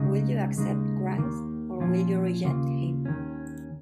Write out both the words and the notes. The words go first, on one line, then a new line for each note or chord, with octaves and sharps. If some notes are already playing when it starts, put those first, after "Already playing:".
Will you accept Christ, or will you reject Him?
Already playing: C#2 C#3 G#3 D#4
D#2 C#3 G#3 D#4
D#2 D#3 A#3
A#2 F3 C#4 F4
D#2 C#3 A#3 F4
D#2 D#3 C#4